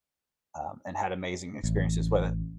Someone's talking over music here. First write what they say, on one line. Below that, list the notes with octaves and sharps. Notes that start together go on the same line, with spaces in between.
um, and had amazing experiences with it.
A1